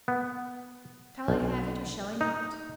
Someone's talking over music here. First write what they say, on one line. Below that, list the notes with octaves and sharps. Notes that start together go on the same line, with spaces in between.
"Shall I have it, or shall I not?"
B3
B1
D#4